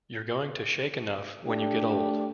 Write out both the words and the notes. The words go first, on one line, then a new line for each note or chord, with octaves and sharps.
You're going to shake enough when you get old.
A3 D4 G4